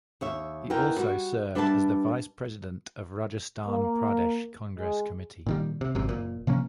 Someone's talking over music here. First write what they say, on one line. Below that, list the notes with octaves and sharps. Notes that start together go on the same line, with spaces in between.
He also served as the Vice President of Rajasthan Pradesh Congress Committee.
D#2 C#5 E5
E2 E3 D#4 A#4 G5
G3 F#4
G3 D4 B4 E5 F#5 A5
A#3
G#3
A#2 D#3 G3
C3
G#1 F#2 C3
F#1 A#2
C3 F3 A#3 C#4